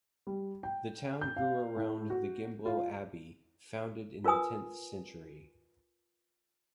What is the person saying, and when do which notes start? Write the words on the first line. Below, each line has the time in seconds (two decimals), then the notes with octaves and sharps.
The town grew around the Gembloux Abbey, founded in the tenth century.
0.27 G3
0.63 G5
1.21 G6
1.37 F5
1.76 A2
2.10 F#4
2.65 F4
4.24 F4 A#4 B4 G#5 D#6